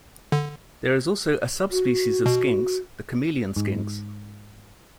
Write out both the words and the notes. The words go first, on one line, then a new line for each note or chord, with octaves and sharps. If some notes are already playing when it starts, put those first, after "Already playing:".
There is also a sub-species of skinks, the chameleon skinks.
D3
F#4
B2
G#2